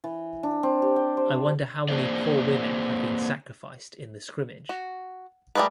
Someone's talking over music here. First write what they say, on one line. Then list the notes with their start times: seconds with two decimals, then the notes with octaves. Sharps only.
I wonder how many poor women have been sacrificed in the scrimmage?
0.04 E3
0.43 D4
0.63 C4
0.82 G4
0.96 G5
1.17 C5
1.89 A#3 C4 G#4 C5 D5
4.69 F#4
5.55 G3 A3 G#4 A#4 B4